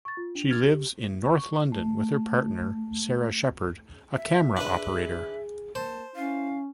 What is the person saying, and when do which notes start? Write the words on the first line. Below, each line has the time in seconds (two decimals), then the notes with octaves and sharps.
She lives in north London with her partner Sara Shepherd, a camera operator.
0.05 C#6 A6
0.17 F4
0.35 D4 F7
0.50 F6 G#6 A6 F7
0.64 G4
1.23 C#6
1.72 A3
4.16 E5
4.57 D4 G#4 B4
5.75 A#3 C5 A5
6.15 C#4 E4 F5